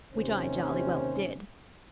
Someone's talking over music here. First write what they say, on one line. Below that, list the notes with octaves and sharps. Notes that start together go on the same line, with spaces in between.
Which I jolly well did.
D#2 C3 C#4 C5